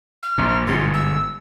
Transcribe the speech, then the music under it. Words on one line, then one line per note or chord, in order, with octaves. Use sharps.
Wa u
F6
A#1 A#2
G1 G#2 B2 C6
E6